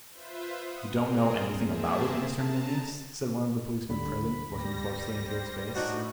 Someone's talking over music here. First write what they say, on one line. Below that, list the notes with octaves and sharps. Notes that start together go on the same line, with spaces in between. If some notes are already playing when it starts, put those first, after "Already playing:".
"You don't know anything about it, Mr. Mealyus?" said one of the policemen present, looking closely into his face.
F4 B4 C5 E5
F#5 D#6
C4 G#4 A#4
A#3 C4 G#4 E5 A5
A5 A#5
D2 D3 G3 B5
D2 G3 A#6
C5
A2 D4 D#4 F#4